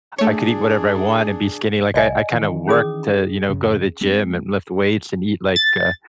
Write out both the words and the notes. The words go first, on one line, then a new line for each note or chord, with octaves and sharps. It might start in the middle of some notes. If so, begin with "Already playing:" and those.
I could eat whatever I want and be skinny, like, I I kinda worked to, you know, go to the gym and lift weights and eat, like, uh,
A3 D4 G#4 C#5
C2 D5 D#5 G#5
D#3 E3
C#4 G#4 D#6
F#2 C#3
G#3 C4
A6